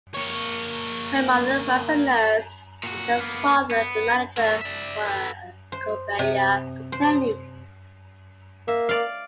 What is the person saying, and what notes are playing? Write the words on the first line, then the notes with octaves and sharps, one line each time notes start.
Her mother was a nurse, and her father a manager for a conveyor company.
A#3 C#5
A#2 F#4
A#3 B3
B3
A3 A#4
D5 E5
A4 B4
C5
C3
C5
A#3 E5
D5 F5